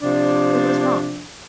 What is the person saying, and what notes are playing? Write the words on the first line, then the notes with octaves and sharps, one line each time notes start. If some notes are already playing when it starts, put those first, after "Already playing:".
It was wrong.
C3 F3 D4